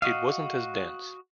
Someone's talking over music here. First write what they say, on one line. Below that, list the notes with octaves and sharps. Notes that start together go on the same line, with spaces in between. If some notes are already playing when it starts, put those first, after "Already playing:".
It wasn't as dense.
F#4 D#5 F5